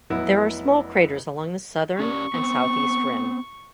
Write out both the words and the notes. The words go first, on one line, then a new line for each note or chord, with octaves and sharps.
There are small craters along the southern and southeast rim.
F1 F#3 B3 E4
C#4 G4 D5 C#6
B3 C4